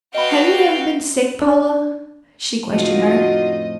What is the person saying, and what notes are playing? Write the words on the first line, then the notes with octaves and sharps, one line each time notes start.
"Have you ever been sick, Paula?" she questioned her.
B3 F#4 D#5 F5 G5 B5
D4
F2 A2 D3 D#4 F4 F#4 D#5